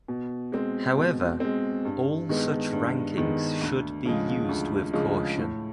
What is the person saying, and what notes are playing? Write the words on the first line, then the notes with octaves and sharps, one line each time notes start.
However, all such rankings should be used with caution.
B2
G#3 C4
B2
G#3 C4
G2
D#3 G#3 B3
G2
D#3 G#3 B3
D2
C#3 F3 G#3
D2
C#3 F3 G#3
A2